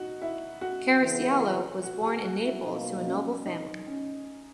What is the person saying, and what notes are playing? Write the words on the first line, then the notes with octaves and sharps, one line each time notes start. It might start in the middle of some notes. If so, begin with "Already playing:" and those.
Caracciolo was born in Naples to a noble family.
Already playing: D#4 F#4
E4
F#4
C#3 E3 B3
F#4
G#4
F#4
E4
B2 F#3 A#3 D#4
C#4
D#4
C#4